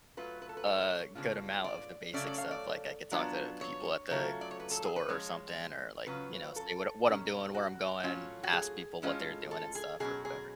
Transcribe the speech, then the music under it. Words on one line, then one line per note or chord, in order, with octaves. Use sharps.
a good amount of the basic stuff; like, I could talk to the people at the store or something or, like, you know, say what what I'm doing, where I'm going, ask people what they're doing and stuff or whatever.
F#3 A3 F4 B4
B4
A4
B4
C#5
C#3 G#3 B3 D4 F4
D5
C#3 F#3 A3 C#4 D5
D5
F5
D5
F#3 B3 D4 F4
C#5
C#3 F#3 A3 F4
D5
C#5
B4
A4
G#4
B4
F3 G#3 C#4 C#5
C#3 F#3 C#4 F4 B4
A4
B2 F#3 C#4
F#4
A2 F#3 C#4 F4
F#4
G#4
A2 G#3 C#4 F4
A4
G#4
B2 F#3 C#4 G#4
G#4